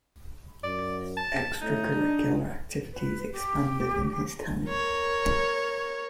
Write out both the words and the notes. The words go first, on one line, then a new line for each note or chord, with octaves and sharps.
Extracurricular activities expanded in his time.
F#2 D5
A5
A2 D#4
D4
B4
G4
A#4 C#5